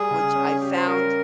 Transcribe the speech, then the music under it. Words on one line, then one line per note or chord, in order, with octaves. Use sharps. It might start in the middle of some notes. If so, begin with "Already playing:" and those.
which I found
Already playing: G3 G#4
C#3
C#4
G4
C5
G3 A#4